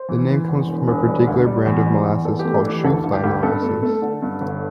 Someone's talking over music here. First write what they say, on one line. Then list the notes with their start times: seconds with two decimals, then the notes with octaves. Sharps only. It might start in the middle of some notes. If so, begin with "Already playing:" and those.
The name comes from a particular brand of molasses, called Shoofly Molasses.
Already playing: C5
0.09 E3
0.29 E3
0.48 E2
0.68 E1
0.88 E1
1.08 G3
1.27 D2
1.46 G3
1.66 E2
1.86 G3
2.06 E2
2.25 E2 A4
2.39 G4
2.45 A3
2.54 D4
2.64 E3
2.70 G4
2.84 D2 A4
3.04 D2
3.13 G4
3.24 D2
3.43 G2 A4
3.63 A3
3.82 A3
4.02 D3
4.22 G2
4.41 G1